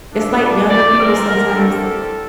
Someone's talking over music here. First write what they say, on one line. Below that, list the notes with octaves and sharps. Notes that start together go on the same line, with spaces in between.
It's like younger people sometimes
A#2 A3 D4
A#2 G3 D4
C3 E3 G3 D5
A#2 A3 C4 A#4
G2 D3 G3 A#4
G2 D3 A3 C4 A4
A2 G3 C4